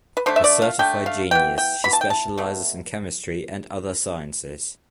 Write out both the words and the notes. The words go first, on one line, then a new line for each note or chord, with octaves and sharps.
A certified genius, she specializes in chemistry and other sciences.
B4
D3 A3 C5
E5
D5
F5
D3 A3 G5
F5
E3 B3 G5
G5
E3 B3 B5
A5
G5
A5
B2 A3